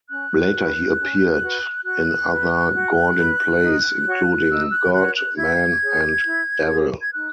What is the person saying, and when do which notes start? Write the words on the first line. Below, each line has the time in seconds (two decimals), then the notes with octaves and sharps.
Later he appeared in other Gordin plays, including "God, Man, and Devil".
0.09 C#4 F#6
0.53 F#4 B4
0.97 C#4
1.41 F#4 B4
1.85 F#4 F#6
2.29 B4
2.73 F#4
3.17 B4
3.61 D#4
4.05 F#4 C#5
4.49 D#4 E6
4.71 F#6
4.93 F#4 C#5 F#6
5.15 F#6
5.37 E4 G#6
5.82 G#4 C#5
6.25 E4
6.69 G#4 C#5
7.01 G#6
7.13 D#4 F#6